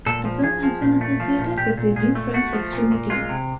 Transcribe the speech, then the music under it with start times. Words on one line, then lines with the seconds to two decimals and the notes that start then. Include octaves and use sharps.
The film has been associated with the New French Extremity.
0.06 A#2 A4
0.25 F3
0.43 F3 G#4
0.63 F3
0.82 A#2
1.01 A3
1.20 F3
1.39 A#2
1.58 A#2 G4
1.77 A#2
1.96 A#2 G#4
2.15 A3
2.34 A3 F#4
2.53 F3
2.72 A#2
2.91 A#2
3.10 G#3 F4
3.29 C3